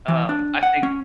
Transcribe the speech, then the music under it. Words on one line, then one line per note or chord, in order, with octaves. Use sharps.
um, I think
E3
D4
F#5
C#4